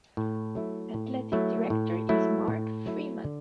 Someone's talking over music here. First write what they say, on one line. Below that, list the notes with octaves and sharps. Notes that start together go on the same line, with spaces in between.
Athletic Director is Mark Freeman.
A2
F#3 A3 E4
A2
F#3 A3 E4
A2
F#3 A3 E4
A2
F#3 A3 E4
D3